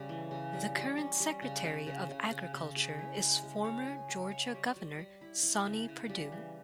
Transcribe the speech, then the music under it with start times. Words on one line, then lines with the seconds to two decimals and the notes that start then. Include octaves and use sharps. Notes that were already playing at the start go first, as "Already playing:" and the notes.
The current Secretary of Agriculture is former Georgia Governor Sonny Perdue.
Already playing: C#3 G3
0.09 E3
0.31 C#3
0.53 G3
0.75 G3
0.97 C#4
1.20 G3
1.42 C#3
1.64 C#3
1.87 C#3
2.09 C#3
2.31 C#3
2.54 C#3
2.76 G#4
2.98 E4
3.20 G#3
3.43 G#3
3.64 C#5
3.87 G#4
4.09 G#3
4.31 C#5
4.54 G3
4.76 G3
4.99 G3
5.21 E4
5.43 E4
5.66 C#3
5.88 C#3
6.09 G3
6.32 E3